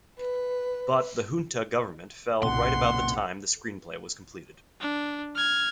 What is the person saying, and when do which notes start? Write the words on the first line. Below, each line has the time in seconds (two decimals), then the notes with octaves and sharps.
But the "junta" government fell right about the time the screenplay was completed.
0.18 B4
2.43 F#1 B1 A#2 C#3 F#5 C6
4.80 D4
5.35 F6 G#6